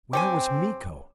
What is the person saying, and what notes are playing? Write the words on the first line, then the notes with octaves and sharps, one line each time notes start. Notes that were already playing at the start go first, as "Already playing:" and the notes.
Where was Miko?
G2 C4 G4 C#5 G#5